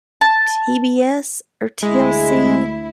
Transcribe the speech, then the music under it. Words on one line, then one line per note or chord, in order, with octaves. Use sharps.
TBS or TLC.
A5
D2 G#3 E4